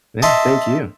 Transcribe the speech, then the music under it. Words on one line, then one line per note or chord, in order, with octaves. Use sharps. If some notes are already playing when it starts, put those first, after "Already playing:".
Yeah, thank you.
D#5 E5 A5 C6